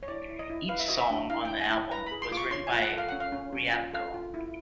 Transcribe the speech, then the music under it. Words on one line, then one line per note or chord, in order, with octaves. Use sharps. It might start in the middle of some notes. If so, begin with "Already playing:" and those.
Each song on the album was written by Riabko.
C#5
E4 D5
E4
D#5
E4
B4 F5
E5
F#4 D#5
E5
D4
E4 F5
G5
E4
G#5
E4
B4 A#5
B5
G#4
C6
F4 D6
C#6
C#5 C6
G#5
F4
F#5
A4
F5
C#4 F#5
F5
C#4
C#4
F4
A4 F5
F4
E4